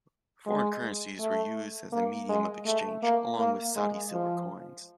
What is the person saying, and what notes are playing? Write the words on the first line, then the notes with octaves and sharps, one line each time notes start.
Foreign currencies were used as a medium of exchange, along with Saudi silver coins.
G#3
A3
A#3
G#3
A3
A#3
A#3
G#3
F3